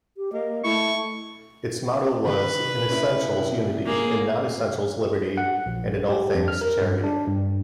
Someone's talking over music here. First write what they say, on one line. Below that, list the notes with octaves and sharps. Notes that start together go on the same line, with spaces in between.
Its motto was In essentials, unity; in non-essentials, liberty; and in all things, charity.
G4
A#3 D#5
A3 E4 C#6
C3 D#3 B4
C#4 D4 E4
A#3 G#4
F#5
A#1
G4
F2
F6
A#4
G2
D4
G2